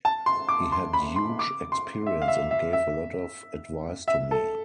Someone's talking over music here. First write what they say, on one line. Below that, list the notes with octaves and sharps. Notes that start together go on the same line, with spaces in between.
He had huge experience and gave a lot of advice to me.
A5
C6
D6
C6
B5
C6
D6
C6
E5
F5
E5
E5
E5
E5
A4